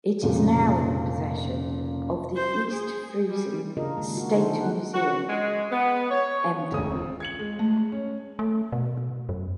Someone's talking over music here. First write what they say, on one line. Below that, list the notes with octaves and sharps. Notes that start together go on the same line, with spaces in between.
It is now in the possession of the East Frisian State Museum Emden.
F1 A#2 C#3 F3
C5
G#4
G3
C#3 D4 F4 G#4 A#4 D#5
D#3 G#3 A#3
F#4
D3 F3 D4 D#4 A4 C5
G3 A#3 E4 F#5
F#4
G#3
B3
C#5
E1 D2 D#6
C4 F4
G#6 C#7 F#7
G#3
A3
C#4
A3
B2
F#2